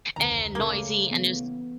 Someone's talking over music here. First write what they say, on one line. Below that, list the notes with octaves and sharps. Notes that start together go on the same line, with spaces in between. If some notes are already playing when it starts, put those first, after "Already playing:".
and noisy, and there's
F1 D2 A#5
C#3 A3 A#3
E3 B3